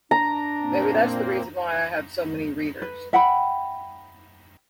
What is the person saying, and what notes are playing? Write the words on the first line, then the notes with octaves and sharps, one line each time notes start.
Maybe that's the reason why I have so many readers.
D4 A#5
A#2 A#3 C4
B4
E5 F#5 G5 B5